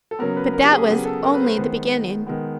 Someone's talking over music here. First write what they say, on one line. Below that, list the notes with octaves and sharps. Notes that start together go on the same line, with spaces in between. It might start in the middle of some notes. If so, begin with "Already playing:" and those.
But that was only the beginning.
A4
C#3 F#3 B3 A#4
B4
A#4
G4
G#4
C#3 F#3 B3 G#4
A4
A#4
B4
C5
D#3 G#3 B3
D#3 G#3 B3